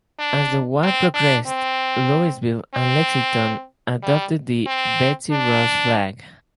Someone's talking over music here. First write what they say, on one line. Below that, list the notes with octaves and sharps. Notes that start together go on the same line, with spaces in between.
As the war progressed, Louisville and Lexington adopted the "Betsy Ross flag".
D4
C4
D4
C4
C4
G3
C4
D4